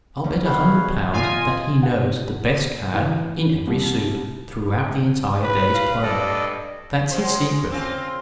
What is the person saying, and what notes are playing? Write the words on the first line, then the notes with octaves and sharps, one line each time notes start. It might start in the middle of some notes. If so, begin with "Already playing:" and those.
I'll bet a hundred pounds that he knows the best card in every suit throughout the entire day's play. That's his secret.
D2 E3 C#4
E2 G#4 B4 C#5 F5
F4 D#5 G#5
F#5
E3
C2
B4
F5
G2 A4 D5 D#5
F#3 G#3 C5
C#3 C4 F4